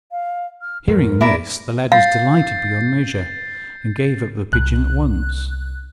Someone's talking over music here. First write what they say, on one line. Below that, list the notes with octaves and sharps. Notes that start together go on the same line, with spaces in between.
Hearing this, the lad was delighted beyond measure, and gave up the pigeon at once.
F5
F6
F2 G#2 B2 A#4
D2 A#2 A3 E4 D5 A#5
F5 G6 A6 C7
C2 F#6